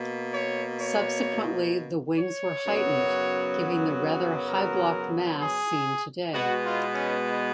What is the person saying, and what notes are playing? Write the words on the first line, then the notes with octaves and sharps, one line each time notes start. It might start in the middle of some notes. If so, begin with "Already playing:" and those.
Subsequently the wings were heightened, giving the rather high-blocked mass seen today.
Already playing: B2 A#3
C#5
C#5
C#5
F#2 C#3 F#3 B3
A#4
G#4
B2 G#3 B3 F#4
F4
C#4